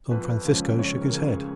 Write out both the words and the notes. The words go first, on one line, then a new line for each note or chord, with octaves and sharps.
Don Francisco shook his head.
F2 B4
C#3 F3 G#3 C#4
F2 C#5
A#4
C#3 F3 G#3 C#4
G#4